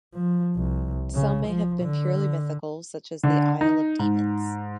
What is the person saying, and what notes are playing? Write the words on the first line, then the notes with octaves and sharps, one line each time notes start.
Some may have been purely mythical, such as the Isle of Demons.
F3
C2
C#3
F3
D3
D3
D#4
G#2